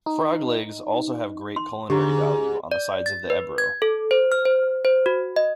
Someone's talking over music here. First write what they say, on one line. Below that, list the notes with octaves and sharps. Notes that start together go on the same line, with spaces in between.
Frog legs also have great culinary value on the sides of the Ebro.
D#4
C6
G#2 D3 G4 A#5
D5
A6
B4
G#6
A4
C5
F6
C5
C5
F#4
D#5